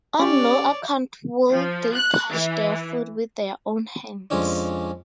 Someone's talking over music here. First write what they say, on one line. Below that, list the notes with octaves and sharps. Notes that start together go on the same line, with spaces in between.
On no account will they touch their food with their own hands.
C#4 G4 C#5 D5
F3
F#6
E3
F2 F3 G#3 C#4 D4